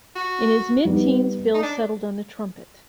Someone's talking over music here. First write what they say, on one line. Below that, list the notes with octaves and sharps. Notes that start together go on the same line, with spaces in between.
In his mid-teens Bill settled on the trumpet.
F#4
G3 B3 D#4
D#4
D4